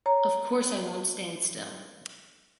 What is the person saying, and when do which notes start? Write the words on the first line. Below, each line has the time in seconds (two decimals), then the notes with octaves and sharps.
Of course I won’t stand still.
0.06 C#5 A#5